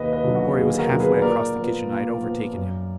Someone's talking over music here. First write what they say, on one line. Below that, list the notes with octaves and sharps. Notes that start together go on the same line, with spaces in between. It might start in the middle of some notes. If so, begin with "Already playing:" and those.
Before he was halfway across the kitchen I had overtaken him.
Already playing: D#2 B4 D#5
B4 D#5
D3 F#3 B3
F#4
D#2 G#4
G#4
F#4 A#4
D3 F#3 B3
G#4 B4
A#2 A#4 D5
F3 B3
A#2
F3 B3
F#2